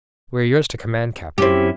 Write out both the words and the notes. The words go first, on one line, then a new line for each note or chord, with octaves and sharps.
"We're yours to command, captain."
F#2 C4 C#4 E4 G4